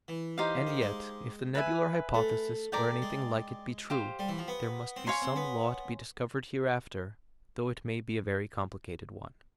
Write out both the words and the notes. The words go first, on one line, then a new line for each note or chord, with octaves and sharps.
And yet, if the nebular hypothesis or anything like it be true, there must be some law to be discovered hereafter, though it may be a very complicated one.
E3
D#4 G4 C5 F5
D#3
G#3
B4 E5 G#5
A3
A3 A#4 D5 G5
G#3
G4 C5 F5
G3
E3
F3
B3
C4
C#4 C#5 F5 G#5 C6
C4
B3